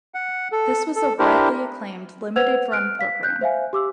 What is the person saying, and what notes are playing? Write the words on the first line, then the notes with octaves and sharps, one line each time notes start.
This was a widely acclaimed limited run program.
F#5
A4
A4
D4 E4 G4 A#4 C5
B4 C5 F#5 E6 G#6 F7
F6 F#6 D7
F5 B6
F#6 G6
C5 E5 F5 G#5
G4 D6 E6